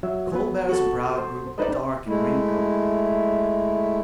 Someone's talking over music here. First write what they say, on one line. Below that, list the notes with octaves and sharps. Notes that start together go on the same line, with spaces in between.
Colbert's brow grew dark and wrinkled.
F#3 E5
F#3 B3 B4
F#4 A4
C5
D#4 A4 B4 C5 D5 D#5
G#3 A3 E4